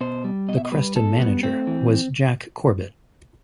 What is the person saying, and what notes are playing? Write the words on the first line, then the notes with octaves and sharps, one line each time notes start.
The Creston manager was Jack Corbett.
B2 C5
G3
B2 D#5
E5
D#5
G3 B4
B2 A4
G3 B3
A3 C4
E3